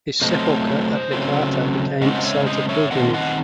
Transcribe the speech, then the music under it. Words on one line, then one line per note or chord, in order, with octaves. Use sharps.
His sepulcher at Licata became a site of pilgrimage.
C3 F#3 A3 C4 C5 D#5
C#3 F#3 A3 C4
C#3 G#3 C4 D#5 F#5
C#5 E5
C5 D#5
C#5 E5
D#3 A3 C4 D#5 F#5
D#5 F#5